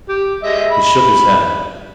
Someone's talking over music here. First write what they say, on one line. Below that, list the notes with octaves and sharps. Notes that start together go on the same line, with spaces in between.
He shook his head.
G4
G#3 D#5 E5
B5